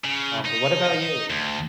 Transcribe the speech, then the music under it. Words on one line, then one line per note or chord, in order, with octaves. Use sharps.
Um, but what about you?
C#3
D#4
D2